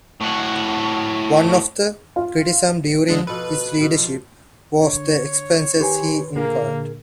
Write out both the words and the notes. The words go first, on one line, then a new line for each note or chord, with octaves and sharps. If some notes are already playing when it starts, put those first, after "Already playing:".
One of the criticisms during his leadership was the expenses he incurred.
A2 F#4
F4
D3 G#3 D4
B2 F3 A4 B4
B2
F3
D3 C#5
D#3 G4 B4 G#5 C6
A#2 D3 A#3 G#4 A#4